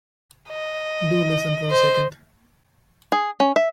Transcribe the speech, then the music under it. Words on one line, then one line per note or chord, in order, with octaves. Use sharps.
Do listen for a second.
D#5
C5
G#4
C#4
E5